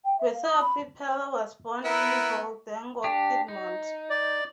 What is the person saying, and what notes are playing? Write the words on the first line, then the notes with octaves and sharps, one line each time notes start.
Giuseppe Pella was born in Valdengo, Piedmont.
G5
E5
F5
D#6
B5
B3 E4 A#4
D4 G4
D#4
D5